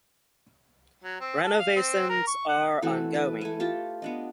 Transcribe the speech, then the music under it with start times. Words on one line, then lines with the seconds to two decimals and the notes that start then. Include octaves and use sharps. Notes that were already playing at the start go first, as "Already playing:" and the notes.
Renovations are ongoing.
1.04 F#3
1.20 C4
1.43 A4
1.59 F5
1.76 C4
2.10 A#4
2.27 C#6
2.49 F#5
2.82 E3 A3 C4 F#4
3.14 A4 B4
3.41 A3 G#5
3.60 F4 G4 A5
4.02 B3 D4 D#5